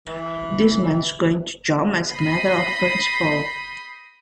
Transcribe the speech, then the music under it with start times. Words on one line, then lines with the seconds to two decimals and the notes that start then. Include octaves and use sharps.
This man's going to jump as a matter of principle.
0.07 E3
2.09 B5 D#6 G6 A#6 C7